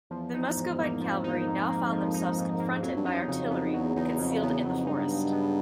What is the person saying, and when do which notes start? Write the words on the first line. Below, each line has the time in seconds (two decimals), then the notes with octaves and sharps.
The Muscovite cavalry now found themselves confronted by artillery concealed in the forest.
0.11 E2 F3
0.34 D#4
0.57 G#2
0.79 E2 A#3
1.01 F2 F3
1.24 E2 D#4
1.47 F2 G#2
1.69 A#3
1.92 F3
2.14 D#4
2.38 G#2
2.60 A#3
2.83 F2 F#3
2.97 G2
3.05 F#2 D#4
3.22 E2
3.28 F2 C#3
3.50 F2 B3
3.74 E2 F#3
3.96 E2 D#4
4.19 F2 C#3
4.41 E2 B3
4.65 F2 F#3
4.87 G2 D#4
5.10 C#3
5.32 B3